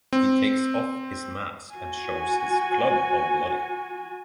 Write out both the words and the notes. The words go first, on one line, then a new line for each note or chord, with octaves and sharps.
He takes off his mask and shows his club all bloody.
C4
F#4 G#5